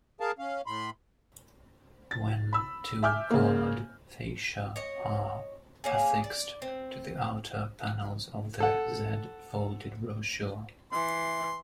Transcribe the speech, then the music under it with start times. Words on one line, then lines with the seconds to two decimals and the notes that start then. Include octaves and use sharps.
When two card fascia are affixed to the outer panels of the z-folded brochure.
0.20 G#4 A#4 F5 A5
0.39 C#4 F5
0.66 A2 B5 C6
2.11 A6
2.53 B5 E6
3.03 E5 G#5 D6 F6 G6
3.30 C#3 A#3
4.76 C#5 D#5
5.84 A#3 C#4 G#4
6.24 D5
6.62 C4
8.60 A4 F#5
10.92 E3 C6